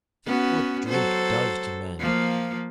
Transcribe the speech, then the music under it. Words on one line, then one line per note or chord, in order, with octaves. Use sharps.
Think what drink does to men?
B3 C#4 F#4
F#3 A4 C5
F3 A#3